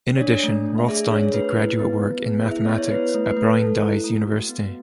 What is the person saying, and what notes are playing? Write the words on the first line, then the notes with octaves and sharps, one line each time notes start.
In addition, Rothstein did graduate work in mathematics at Brandeis University.
C#5
D4 D5
A3
A3
E5
G#4 D5
D4 C#5
A3 B4
E4
B3
B3
G#4
E4
E5
B3 D5
C#5
E4 B4
A3
B4
A3
A4
E4
A3
F#4
B3